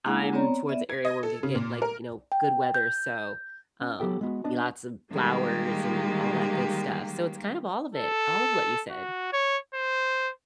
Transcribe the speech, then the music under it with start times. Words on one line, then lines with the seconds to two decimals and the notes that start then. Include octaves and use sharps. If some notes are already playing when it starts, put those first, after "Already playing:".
I'm towards the area where we could get, like, you know, good weather, so, um, lots of flowers and all that good stuff, so it's kind of all of it all of what you said.
0.06 G#3 A#3 D4 E4 G#4 F#5
0.33 B3 C4 C#5 D5 A#5
0.69 B3 D5 E5
0.89 G#6
1.05 D#5
1.23 A4
1.43 C#3
1.55 A#2
1.82 A#4
2.32 G5
2.74 G6
3.81 C#4
4.00 F#3 B3 G4 A4 G5
4.21 G#3 B3 F#4
4.44 B3 D4 D5 D#5 A5
5.12 D#3 G3 G#3 A#3 G4
7.95 A4
8.90 F#4
9.33 C#5
9.74 C5